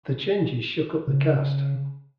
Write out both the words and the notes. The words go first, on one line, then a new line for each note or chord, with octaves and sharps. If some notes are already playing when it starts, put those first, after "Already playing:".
The changes shook up the cast.
C#3